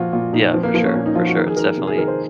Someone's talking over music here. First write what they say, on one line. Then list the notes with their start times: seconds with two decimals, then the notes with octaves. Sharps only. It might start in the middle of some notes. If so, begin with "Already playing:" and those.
Yeah, for sure, for sure. It's definitely
Already playing: A#2 F3 F4 F#4
0.13 A#2 F4
0.33 A#2 D#4
0.53 F3 C4
0.63 A#3
0.74 F3 A#3
0.85 C#4
0.95 A#2 C#4
1.06 D#4
1.15 F3 F4
1.26 F#4
1.36 D#3 A#4
1.47 G#4
1.56 D#3 A#4
1.77 C3
1.87 G#4
1.97 D#3 A#4
2.08 C5